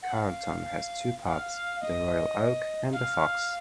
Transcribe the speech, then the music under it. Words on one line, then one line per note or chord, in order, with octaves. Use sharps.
Carlton has two pubs, The Royal Oak and The Fox.
F#5
F5
F#5
F5
D#5
F5